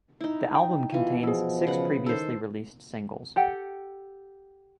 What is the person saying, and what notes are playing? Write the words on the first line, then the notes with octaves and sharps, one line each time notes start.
The album contains six previously released singles.
D#4 E4
G5
B2 E3 F4 G#5
F3 E4 G#4
C#3 B4 F#5
D#3 A4 C5
G4 A4 F#5 G5